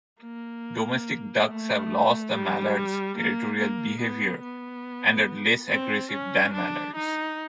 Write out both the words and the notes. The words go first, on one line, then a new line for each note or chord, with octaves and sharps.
Domestic ducks have lost the mallard's territorial behaviour, and are less aggressive than mallards.
A#3
A3
G3
A#3
A#3
B3
B3
C4
C#4
D4
D#4